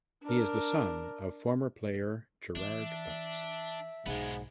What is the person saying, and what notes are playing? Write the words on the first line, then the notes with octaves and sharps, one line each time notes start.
He is the son of former player Gerard Butts.
D4 A#4
E3 D4 E5
B1 G#2 G#3 B3